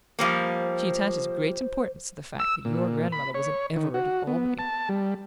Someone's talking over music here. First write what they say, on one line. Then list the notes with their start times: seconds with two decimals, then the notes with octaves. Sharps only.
She attaches great importance to the fact that your grandmother was an Everard of Albany.
0.19 F3 G3 A#3 C5
2.39 E6
2.65 A#2
3.12 B5
3.34 C#5
3.76 D#3
3.94 F#4
4.27 B3
4.59 A5
4.89 G3